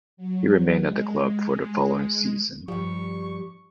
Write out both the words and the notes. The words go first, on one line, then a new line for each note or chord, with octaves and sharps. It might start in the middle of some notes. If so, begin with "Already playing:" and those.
He remained at the club for the following season.
F#3
G#3
G2 F3 G3 G4 C#6